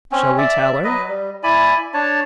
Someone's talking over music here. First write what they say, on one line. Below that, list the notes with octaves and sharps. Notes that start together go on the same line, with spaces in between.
"Shall we tell her?"
C4 C#4
D5 E5
F#3 B4 D#5
G3
E4 D5 G#5 B5
D4 C#5 A5